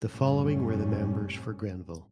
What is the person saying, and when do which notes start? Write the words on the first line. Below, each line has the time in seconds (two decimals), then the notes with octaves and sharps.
The following were the members for Grenville.
0.10 A1 F#2 A2 C3 G3 C#4